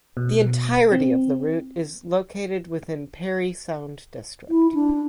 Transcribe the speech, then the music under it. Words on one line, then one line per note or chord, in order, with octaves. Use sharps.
The entirety of the route is located within Parry Sound District.
B2
C4
E4
D4